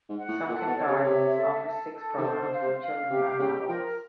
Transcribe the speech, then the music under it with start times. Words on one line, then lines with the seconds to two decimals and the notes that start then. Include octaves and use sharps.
Sunken Gardens offers six programs for children and adults.
0.09 G#2
0.19 F#5
0.28 A2
0.48 A#2 A4
0.67 B2
0.77 C#5
0.87 C3
0.96 C#3
1.04 C3 E5
1.36 A4
1.64 A4
1.93 A4
2.18 D#3
2.23 D3 C5
2.42 D3
2.52 F5
2.61 C3
2.81 F5
3.10 C3 G4
3.39 C#3 G5
3.68 F3 A#4